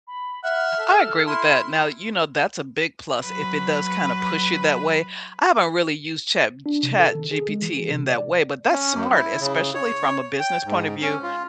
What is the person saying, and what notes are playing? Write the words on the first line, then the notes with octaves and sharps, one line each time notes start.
I agree with that. Now, you know, that's a big plus if it does kinda push you that way. I haven't really used Chat b ChatGPT in that way, but that's smart, especially from a business point of view,
B5
E5 F#5 F6
A4
E4 C6
F#3 B4
D4
C3
A4
D#3
G#4
G#3
E3
G#4
C3
D5
C#4
F#2
E4
C#3
C#5
G5
G#2
C#4
F4